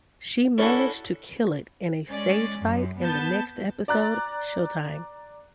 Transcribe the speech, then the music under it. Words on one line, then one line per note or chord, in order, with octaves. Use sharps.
She managed to kill it in a staged fight in the next episode "Showtime".
C#4 D4 E4 F#4 A4
G#3 C#4 D5
F#2
B3 A5 G6
D5 A#5 F#6 A6